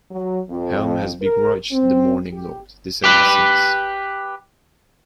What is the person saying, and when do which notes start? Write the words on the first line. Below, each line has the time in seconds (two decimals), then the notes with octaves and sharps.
Helm has begrudged the Morninglord this ever since.
0.11 F#3
0.50 F2
1.22 A#4
1.72 C4
2.32 G4
3.04 G4 B4